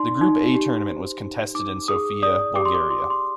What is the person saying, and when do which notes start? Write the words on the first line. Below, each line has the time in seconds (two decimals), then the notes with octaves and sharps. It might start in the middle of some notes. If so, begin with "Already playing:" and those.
The Group A tournament was contested in Sofia, Bulgaria.
Already playing: D#4 D5 C6
0.21 D#4
0.54 G4
0.89 C5
1.22 D#4
1.55 D#4 D6
1.88 G#4 D#6
2.23 D5 D#6
2.56 G4 D6
2.65 C6
2.74 D6
2.90 G4 C6
3.00 D6
3.10 C6